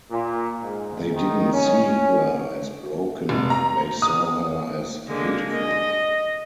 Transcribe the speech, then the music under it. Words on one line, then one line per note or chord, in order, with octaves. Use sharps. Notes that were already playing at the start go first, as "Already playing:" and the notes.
They didn't see her as broken, they saw her as beautiful.
A#2
G#2
D#3
C#4
F1
A#5
D#6
D3 G#3 A#3
D#5